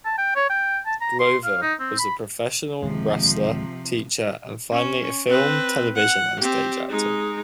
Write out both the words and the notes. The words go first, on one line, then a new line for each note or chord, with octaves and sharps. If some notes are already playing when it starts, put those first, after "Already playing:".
Glover was a professional wrestler, teacher, and finally a film, television and stage actor.
A5
G5
C#5
G5
A5
A#5
C6
F5
D#4
C4
B5
D1 C3 D#3 F3 G#3 A#3
C#4
C4 B4
F#5
C4 G4
G#3 D#4